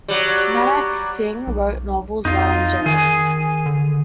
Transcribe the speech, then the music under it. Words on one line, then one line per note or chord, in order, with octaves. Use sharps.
Nanak Singh wrote novels while in jail.
F#3 G3
B1
F2 D#4 F4
D#3 G#4
D3